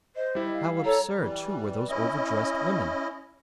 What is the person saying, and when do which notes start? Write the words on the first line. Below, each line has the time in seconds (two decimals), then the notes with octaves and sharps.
How absurd, too, were those overdressed women!
0.16 C5 D#5
0.35 G3 E4
0.54 F5
0.85 A4 C#5 A#5
1.18 E3 G3
1.88 C#4 E4 D#5